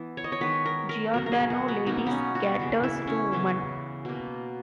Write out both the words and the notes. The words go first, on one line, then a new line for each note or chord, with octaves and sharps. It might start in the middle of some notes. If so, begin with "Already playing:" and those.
Giordano Ladies caters to women.
Already playing: E3 B3
C#5
D#5
C#5
D#3 G#3 B3 B4
A#4
A#4
B2 F#3 B3 A#4
A#4
G#4
F#4
B3
B2 A#3 D#4
B3 C#4
F#4
C#3 E3 B3
E4
C#4
C#3 E3 B3
B2 A#3